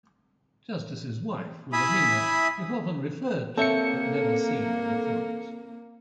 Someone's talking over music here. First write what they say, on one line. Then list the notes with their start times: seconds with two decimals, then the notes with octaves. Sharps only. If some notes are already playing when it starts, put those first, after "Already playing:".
Justice's wife, Wilhelmina, if often referred to but never seen in the films.
1.73 E4 E5 G#5 B5 D#6
3.57 A#3 C4 A4 C#5 E5 C#7